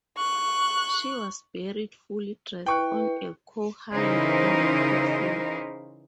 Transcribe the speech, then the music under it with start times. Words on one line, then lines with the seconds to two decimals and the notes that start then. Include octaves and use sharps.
She was buried fully dressed on a cowhide in the coffin.
0.17 C#6 F#6
2.66 E4 B4 G5 C#6 F#6
3.93 C#3 E3 D#4 E4 A#4 C5